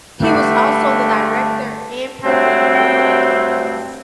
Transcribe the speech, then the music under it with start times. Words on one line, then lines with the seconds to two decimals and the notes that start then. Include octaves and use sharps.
He was also director and president of railway companies.
0.21 G2 D3 A3
2.24 G2 F#3 A3 C4
2.75 G5